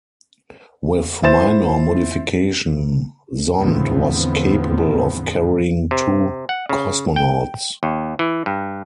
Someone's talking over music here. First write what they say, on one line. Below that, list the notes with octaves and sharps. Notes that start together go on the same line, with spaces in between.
With minor modification, Zond was capable of carrying two cosmonauts.
E4 C5 C6 A6 E7
E2 A2 D3 F3 B3 C4
C3
F#5
C#3
G5
D#2
E3
G2